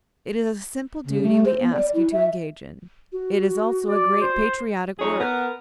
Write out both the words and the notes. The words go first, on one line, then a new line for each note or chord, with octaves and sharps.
It is a simple duty we ask you to engage in; it is, also, a great patriotic work.
C#3
A3
C5
B3
D5
E4
E5
F#4
D5
C5
F2 D#4 G#4 C#5
B3 A#4